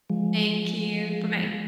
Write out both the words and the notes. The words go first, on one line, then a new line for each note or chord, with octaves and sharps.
Thank you. Bye bye.
F3 G#3